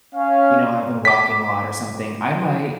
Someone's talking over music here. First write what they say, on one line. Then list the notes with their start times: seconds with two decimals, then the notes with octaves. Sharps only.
you know, I've been walking a lot or something, I might,
0.15 C#4 F5
1.05 D6 B6